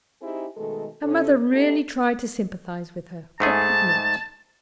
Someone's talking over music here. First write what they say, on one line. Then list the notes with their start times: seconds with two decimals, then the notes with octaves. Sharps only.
Her mother really tried to sympathise with her, but could not.
0.22 C4 D#4 E4 G4 G#4
0.57 B2 D#3 G#3 A3 A4
1.03 C3 C#4 A4
1.52 A3 D#4 G4 A4
3.40 G#2 A3 G#4 A5